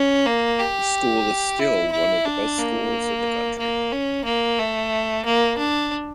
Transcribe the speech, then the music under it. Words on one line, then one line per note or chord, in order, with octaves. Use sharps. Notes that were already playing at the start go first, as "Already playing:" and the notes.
The school is still one of the best schools in the country.
Already playing: C#4
A#3
G4
E4
E4
D4
A#3
A#3
C#4
A#3
A3
A#3
D4